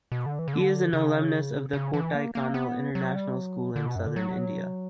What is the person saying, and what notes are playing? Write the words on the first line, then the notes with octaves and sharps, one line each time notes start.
He is an alumnus of the Kodaikanal International School in southern India.
B2
D3
E3
C#3
D3
C#3
C#3
E3
A#3
A#3
B3
F#3
G3
F#3
D3
B2
F#2
D3
F#3